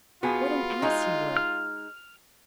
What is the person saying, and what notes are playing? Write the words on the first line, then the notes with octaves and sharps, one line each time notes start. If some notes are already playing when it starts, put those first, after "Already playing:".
"What an ass you were."
B3 F4 F#4 G#4 G#5
G#3 D#4
F6